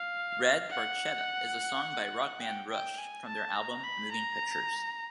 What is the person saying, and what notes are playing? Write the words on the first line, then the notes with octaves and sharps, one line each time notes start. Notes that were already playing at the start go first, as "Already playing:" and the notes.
"Red Barchetta" is a song by rock band Rush from their album "Moving Pictures".
Already playing: F5
F#5
G5
G5
G#5
A5
A#5
B5
A#5